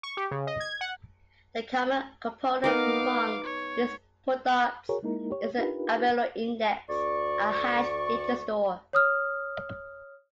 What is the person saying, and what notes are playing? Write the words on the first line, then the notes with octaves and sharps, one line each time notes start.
The common component among these products is the Albireo index - a hash datastore.
C#6
G4
C#3
D#5
G#6
F#5
B3 D#4 A#4 F5 D6
C#5
F#4 G#4 A#4 C#5
G#3 A#3 D#4 E4 A#4
G4 C#5
D4 D#4 F4 G4 A#4 B4
D2 D5 C#6
C#5 D#6 F6